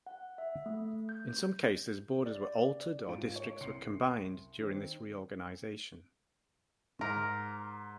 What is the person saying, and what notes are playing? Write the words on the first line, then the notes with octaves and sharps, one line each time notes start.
In some cases, borders were altered or districts were combined during this reorganisation.
F#5
E5
A3
G6
D5
G#2 F4 D7
A#4 C#5
C2 C6 C7 C#7
D#3 C4
G#2 A#4